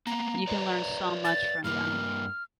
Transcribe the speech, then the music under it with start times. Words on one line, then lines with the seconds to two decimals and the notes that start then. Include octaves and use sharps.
You can learn so much from them,
0.07 A#3 B3 A#5
0.47 B4 C#5 D5
1.25 A6
1.64 G2 A#3 F6